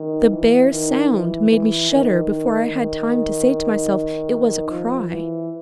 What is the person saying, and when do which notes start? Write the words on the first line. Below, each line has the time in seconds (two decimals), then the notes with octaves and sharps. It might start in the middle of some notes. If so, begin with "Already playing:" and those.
The bare sound made me shudder before I had time to say to myself it was a cry.
Already playing: D#3
0.30 E3
0.71 D#3
1.10 E3
1.50 E3
1.90 D#3
2.29 D#3
2.69 D#3
4.69 F3
5.08 E3